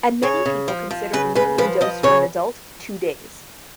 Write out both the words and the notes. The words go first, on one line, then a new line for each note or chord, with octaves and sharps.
And many people consider the medium dose for an adult two days.
C#3 C#5
C#3
F3
F3
C#3 B4
C#3 B4
F3 B4
F3 D#5
C#3 C#5